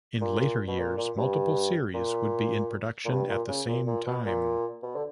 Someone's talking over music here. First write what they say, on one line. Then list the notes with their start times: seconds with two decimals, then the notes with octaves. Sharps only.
In later years, multiple series would be in production at the same time.
0.21 A#2
0.68 B2
0.79 A#2
0.97 A#2
1.17 G2
1.94 A#2
3.05 A#2
3.10 G2
3.29 A#2
3.48 C#3
3.67 A#2
3.87 A#2
4.06 B2
4.25 A#2
4.83 B2
4.96 D3